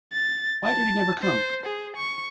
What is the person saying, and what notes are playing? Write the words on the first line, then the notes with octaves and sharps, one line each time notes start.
Why did he never come?
A6
A5
C5
G#4
C#6